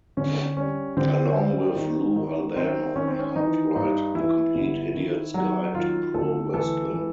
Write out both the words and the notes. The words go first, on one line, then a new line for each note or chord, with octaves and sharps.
Along with Lou Albano, he helped write The Complete Idiot's Guide to Pro Wrestling.
D3 C#4
G3 C#4
D3 C4
G3
D#3
D#3
D#3 C4
D#3 C#4
C4
C#4
E3 D#4
G2 D#4
E3 E4
G1
D#3
F#3
D#3 F4
D2 A4
E3 A4
E3